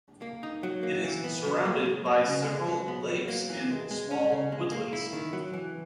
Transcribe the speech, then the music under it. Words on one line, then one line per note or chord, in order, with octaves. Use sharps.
It is surrounded by several lakes and small woodlands.
A#3
D#4
F#3
A#3
E3
B3
F#3
A#3
F#3
A#3
C#3
G#3
F#3
B3
F#3
A#3
E3
G#3
G#3
C#4
C#3
G#3
A#3
E4
D#3
F#3
E3